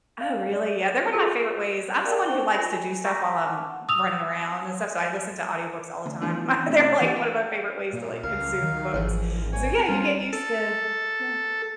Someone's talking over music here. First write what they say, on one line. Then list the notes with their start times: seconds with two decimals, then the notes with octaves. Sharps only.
Oh, really? Yeah, they're one of my favorite ways. I'm someone who likes to do stuff while I'm running around and stuff, so I listen to audiobooks all the time. They're like one of my favorite ways to, like, consume books. So, yeah, you get used to Yeah.
0.21 F5
0.53 D5
1.13 F4 G#4 A4
2.05 A#4 D5 F5 G5
2.25 C5 G5 C#6 D6 G7
2.52 F4 A4 B5 A#6
2.70 F#4 G#5
3.04 A#5 C#6 E6 A#6 B6
3.45 F#5 A5 D6 F6
3.89 D#6 E6 F7
6.06 D2
6.21 E3 F#3 A3 B3 D4 F4
6.67 C3 A3 C#4
7.01 E3 A#3 D4 F4 G4 D5
7.16 E5 F5 G5
7.93 A#2
8.23 C#2 A#4 F5
8.62 D#3
8.94 G#1 E3 F3 G#4
9.53 B3 C4 C#5 G#5
9.88 G3 C4 C#4 F4
10.33 A4